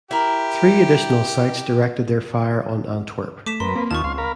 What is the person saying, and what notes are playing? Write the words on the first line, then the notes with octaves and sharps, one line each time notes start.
Three additional sites directed their fire on Antwerp.
E4 G4 A#4
A3 D6 B6 E7
F#2 A#4 B4 C6
A#3 C4
D#2 F4 A5 C#6
C#2 F5 C6
A#4 F5 B5